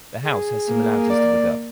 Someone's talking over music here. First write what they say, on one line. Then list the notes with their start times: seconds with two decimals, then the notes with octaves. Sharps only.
The house has similarities to the Gov.
0.24 G#4
0.69 A#3
1.10 D5